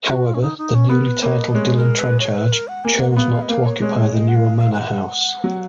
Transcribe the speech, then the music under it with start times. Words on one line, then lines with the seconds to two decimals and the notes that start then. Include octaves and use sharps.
However, the newly titled Dillon-Trenchards chose not to occupy the newer manor house.
0.09 F#4
0.25 F4
0.34 C#4
0.42 D#4
0.58 D#4
0.74 C#4
0.89 B3 A#4
1.06 B4
1.23 A#3 C#5
1.39 D#5
1.50 D#5
1.55 G#3 C#5
1.76 A#4
1.98 B4
2.20 C#5
2.36 B4
2.52 A#4
2.68 F#5
2.84 A#3 G#5
3.01 F#5
3.11 F#5
3.16 B3 F5
3.33 F5
3.42 D#5
3.49 A#3 F5
3.65 C#5
3.81 G#3 C#5
3.93 B4
3.98 C#5
4.14 D#5
4.28 F#5
4.36 F5
4.57 F5
4.73 G#5
4.78 F#5
5.44 F#3